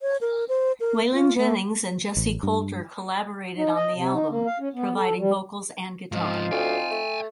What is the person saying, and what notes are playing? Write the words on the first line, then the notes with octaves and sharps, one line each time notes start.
Waylon Jennings and Jessi Colter collaborated on the album, providing vocals and guitar.
C#5
A#4
C5
A#4
F4
A3
A1
G2
D#4
D#5
C3
D#4
A#3
F5
C#4
B3
A4
G3
G#2 F3 C4 D#4 F4
D2 G5 G#5
A3